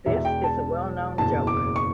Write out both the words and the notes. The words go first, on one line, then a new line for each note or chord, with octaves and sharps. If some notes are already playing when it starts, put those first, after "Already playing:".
This is a well known joke.
E1 E2 B2 E5
G5
A5
F#1 E2 B2 A5
D6
C#6